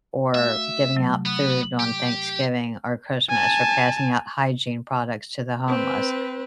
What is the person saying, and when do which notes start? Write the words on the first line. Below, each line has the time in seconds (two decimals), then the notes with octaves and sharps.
or giving out food on Thanksgiving or Christmas, or passing out hygiene products to the homeless.
0.35 A3 F#4 E5 F5
0.96 C3 F#3 A3
1.26 B3
1.80 G4
3.30 G#5 A5
5.68 C4 B4